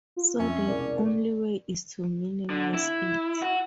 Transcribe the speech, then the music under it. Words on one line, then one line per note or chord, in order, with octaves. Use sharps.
So the only way is to minimize it.
F4
F2 C#4 E5
E1 C2 A#4 D5
D3
E4
F#4